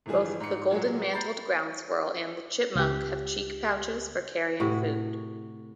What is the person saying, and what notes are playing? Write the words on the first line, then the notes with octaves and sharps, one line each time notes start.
Both the golden-mantled ground squirrel and the chipmunk have cheek pouches for carrying food.
G1 E3 F3 G3 G#4
G#2 C#7
A#2 F#3 G#3
A#5 B5 G6 A6 C7
C#2 G4
A2 C3 F#4